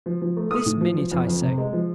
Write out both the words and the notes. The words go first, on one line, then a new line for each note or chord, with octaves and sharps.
This minute, I say.
F3
F3
A3
A3 D#6
A2
F3
F3
F2
F2
C3
G#3
F3